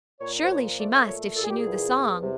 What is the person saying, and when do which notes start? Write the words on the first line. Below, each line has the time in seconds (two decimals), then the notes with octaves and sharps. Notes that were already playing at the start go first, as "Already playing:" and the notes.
Surely she must if she knew the song.
0.21 A#2 C#5
0.44 C5
0.49 F3 C#5
0.78 A3 D5
1.07 A#2 C#5
1.36 A#2 A4
1.43 G#4
1.50 G4
1.57 G#4
1.65 E2
1.94 E2
2.22 C3